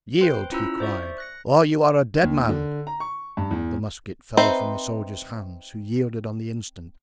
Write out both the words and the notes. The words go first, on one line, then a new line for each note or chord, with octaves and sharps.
"Yield!" he cried, "or you are a dead man!" The musket fell from the soldier's hands, who yielded on the instant.
B4 C5 G5 C6
C#4 E4 F4 A#5 B5 E6
C5 D5 E5 C#6
F#6 A#6 C#7
D#2
D3
A#5
C#6
G2
E2
C4 D#4 B4 C5 E5